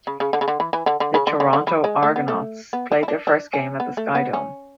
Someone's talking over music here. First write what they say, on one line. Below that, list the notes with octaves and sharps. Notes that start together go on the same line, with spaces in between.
The Toronto Argonauts played their first game at the SkyDome.
C#3
C#3
D3
C#3
D3
E3
E3
D3
D3
C#3
D3
D3
D3
E3
G#3
A3
B3
A3
B3
D4
E4
D4
D4
C#4
B3
A3
B3
C#4